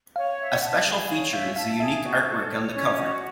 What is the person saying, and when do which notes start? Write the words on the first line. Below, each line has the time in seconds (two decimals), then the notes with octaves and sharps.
A special feature is the unique artwork on the cover.
0.16 C#5 F5
0.39 E5
0.62 F#5 A5
0.86 G#4
1.09 C#5 F5
1.33 E5 F5
1.56 F5 A5
1.80 G#4 E5
2.03 F#4
2.27 A4
2.50 C#5
2.73 C#4
2.96 F#4 D#5